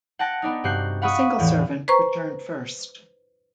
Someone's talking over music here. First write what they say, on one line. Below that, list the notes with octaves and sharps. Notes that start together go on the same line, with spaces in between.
The single servant returned first.
F#5 G5 A5 F#6 A#6 C#7
B3 D4 D#4
G2 C3 F#4 F#6 G6 C7
F5 F#5 B5 C#6 D#6 F6
E2 A2 C3 E3
B4 C5 A#5 C#6